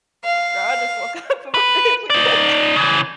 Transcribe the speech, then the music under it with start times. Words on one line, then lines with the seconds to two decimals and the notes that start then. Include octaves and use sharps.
"Girl, I just woke up and my day is good."
0.25 F5
1.54 B4
2.10 D#4 D5
2.76 C#3 E3